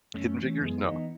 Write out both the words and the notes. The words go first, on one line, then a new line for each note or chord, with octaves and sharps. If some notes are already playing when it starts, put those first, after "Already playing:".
Hidden figures? No.
F#2 A3 C#4
E3
F#2 G#3 B3
E3 B3 D#4